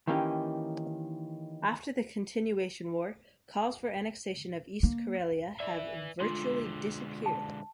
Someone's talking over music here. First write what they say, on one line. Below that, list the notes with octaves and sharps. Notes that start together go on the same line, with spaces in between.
After the Continuation War, calls for annexation of East Karelia have virtually disappeared.
D#3 E3 A#3 C#4 D#4 G4
A#3
B4 D5 E5
D3 G#3 F4 C6
A5